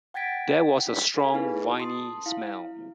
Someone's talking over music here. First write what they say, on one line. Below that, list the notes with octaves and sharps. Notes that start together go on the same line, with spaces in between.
There was a strong, winey smell.
F#5 G5 G#6 A6 B6 D7
B6
A4 F5 G#5
B3 D#4 E4 G#4 B4
A5 C6 D#6
E4 F5